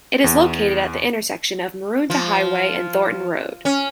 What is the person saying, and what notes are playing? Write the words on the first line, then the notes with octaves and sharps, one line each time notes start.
It is located at the intersection of Maroondah Highway and Thornton Road.
E2
F3
C#4